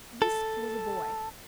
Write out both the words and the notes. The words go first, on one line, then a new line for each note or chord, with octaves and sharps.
This was a boy.
A4